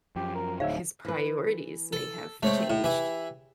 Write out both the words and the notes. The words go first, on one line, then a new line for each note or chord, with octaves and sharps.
his priorities may have changed.
F#2 F3 G4
A#4
D1 D2 G#2 D#4 C#5 E5 F5
E3 B4
A4
G#3 A3 C4 C#5
A2 D#4
E3 E4 G4